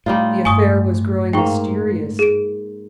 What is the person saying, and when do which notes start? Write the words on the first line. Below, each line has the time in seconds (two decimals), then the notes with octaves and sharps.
The affair was growing mysterious.
0.06 A2 G3 D#4 F4
0.45 G2 G#3 G#5 C#6 D#6
1.33 G#2 A#3 G5 C#6
2.19 G#4 D7